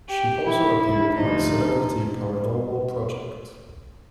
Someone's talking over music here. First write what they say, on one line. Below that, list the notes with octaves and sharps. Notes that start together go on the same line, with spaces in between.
She also appeared on "Celebrity Paranormal Project".
G4
E4
E4
D2 C3 F3 D#4